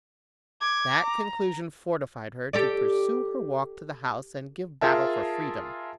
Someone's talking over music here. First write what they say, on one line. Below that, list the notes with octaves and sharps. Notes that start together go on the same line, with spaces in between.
That conclusion fortified her to pursue her walk to the house and give battle for freedom.
D6 G#6
A#5
G4 A4 D5
F4 G#4 A#4 E5 A5